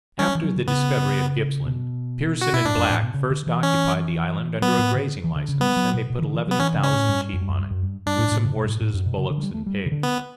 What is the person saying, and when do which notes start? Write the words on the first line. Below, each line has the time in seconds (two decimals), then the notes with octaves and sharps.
After the discovery of Gippsland, Pearson and Black first occupied the island under a grazing license, and they put eleven thousand sheep on it, with some horses, bullocks, and pigs.
0.19 G3 C#4
0.35 E3
0.43 F#3
0.56 D3
0.68 C#3 B3
1.66 B2
2.41 F#4
2.53 B2 E4
2.64 A2 D4
2.77 F#2
2.90 A2
3.03 B2
3.14 C#3
3.30 D3
3.47 E3
3.63 C#4
4.62 F#3 B3
4.79 A2
4.94 D3
5.24 E3
5.36 D3
5.48 C#3
5.60 G3 B3
5.76 F#3
5.94 B2
6.10 B2
6.19 E3
6.22 D3
6.34 E3
6.47 F#3 B3
6.59 E3 C#4
6.76 C#3
6.83 C#4
6.92 A2
7.08 G2
7.33 F#2
7.41 G2
7.50 F#2
7.57 G2
7.71 F#2
7.83 G2
8.06 G2 D4
8.19 A2
8.32 A2
8.44 C#3
8.56 B2
8.64 G2
8.68 A2
8.81 A2
8.94 F#2
9.06 B2
9.18 C#3
9.30 D3
9.38 F#3
9.43 G3
9.54 A3
9.66 G3
9.86 C#3
9.92 D3
10.03 B3